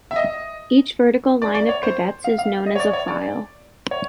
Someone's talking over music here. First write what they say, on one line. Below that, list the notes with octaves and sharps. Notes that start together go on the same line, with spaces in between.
Each vertical line of cadets is known as a file.
E5
D#5
D5
D5
C#5
C5
F5
F5
D#5
C#5
D5
C#5
D5
C#5